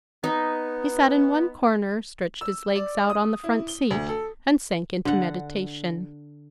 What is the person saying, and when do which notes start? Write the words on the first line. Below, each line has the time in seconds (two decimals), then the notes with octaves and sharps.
He sat in one corner, stretched his legs out on the front seat, and sank into meditation.
0.24 B3 D#4
2.41 E6
2.76 D5
3.10 D#6
3.44 E4
3.68 G7
3.90 D2
4.09 A4
5.05 D3 F#5